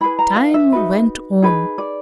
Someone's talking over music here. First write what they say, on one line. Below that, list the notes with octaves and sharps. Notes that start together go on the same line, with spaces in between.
Time went on.
E4 G#4 B4 B5
A#5
F5
E5
D#4 F#4 B4
D#4 G#4 B4
D5